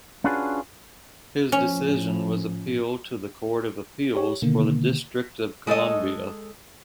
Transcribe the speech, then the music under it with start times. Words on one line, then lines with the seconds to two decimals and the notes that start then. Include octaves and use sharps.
His decision was appealed to the Court of Appeals for the District of Columbia.
0.24 C#4 D4 F4 F#4 G#4 B4
1.52 A2 F3 C#4
4.15 G4 C#5
4.42 B2 D3 D#3 A#3
5.67 G#3 A4 C#5 D#5